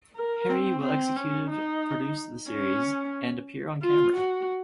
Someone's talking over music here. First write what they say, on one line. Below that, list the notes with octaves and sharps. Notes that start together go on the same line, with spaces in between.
Harry will executive produce the series and appear on camera.
A#4
C4
C4
C#4
D#4
C#4
F4
F#4